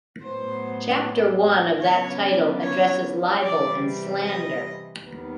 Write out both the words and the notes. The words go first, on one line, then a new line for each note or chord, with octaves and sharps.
Chapter one of that title addresses libel and slander.
A2 F#3 B3 C5
C#3 F#3 B3 D4 C#5
C#5
C3 E3 G3 C4 D5
D#5
D#2 D#3 G3 B3